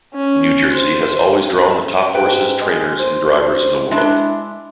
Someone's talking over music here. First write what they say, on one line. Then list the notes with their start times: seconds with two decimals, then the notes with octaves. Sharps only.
New Jersey has always drawn the top horses, trainers, and drivers in the world.
0.14 C#4
0.73 C5
2.14 G#2 B4 G5
2.61 G#3
2.99 C5
3.91 G#3 D4 E4